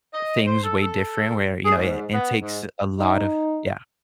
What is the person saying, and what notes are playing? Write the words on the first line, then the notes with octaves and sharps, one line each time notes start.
things way different where, you know, eh, it takes a lot of yeah.
D#5
C5
A4
A4
G#4
G#2
B3
G#2
D#4